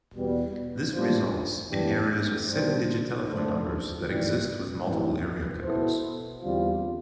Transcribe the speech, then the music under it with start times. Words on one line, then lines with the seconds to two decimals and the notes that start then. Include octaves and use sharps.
This results in areas with seven-digit telephone numbers that exist with multiple area codes.
0.13 E2 B2 G3 B3
0.92 A2 G3 D4 F4 C5
1.70 A2 E3 B3 D4 G4
2.49 B2 G3 D4 G4 C5
3.28 D3 A3 D4 A4 C5
4.06 B1 A2 E3 G3
4.85 B1 A2 E3 G3 C4
5.64 B2 B3 E4 A4 C5
6.43 E2 D3 G3 C4 F4